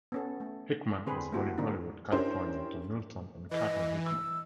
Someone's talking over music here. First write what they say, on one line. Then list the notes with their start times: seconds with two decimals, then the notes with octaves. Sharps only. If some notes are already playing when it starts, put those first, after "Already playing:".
Hickman was born in Hollywood, California to Milton and Katherine Hickman.
0.12 B3 C#4 A4
0.40 A3
1.06 D3 C4 G#4 B4
1.32 A3 A#3 C4 E4 F#4 G4
1.58 D3 A#3 C4 D4 D#4
2.11 C#4 D4 E4 G4 A#4 C5
3.51 E3 D#5
4.05 E6